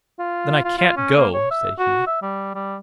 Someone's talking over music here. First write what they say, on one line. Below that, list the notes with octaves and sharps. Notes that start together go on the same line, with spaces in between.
'Then I can't go,' said he.
F4
F4
F4
C#4
A#3
C#5
E5
F#4
E5
G3
G3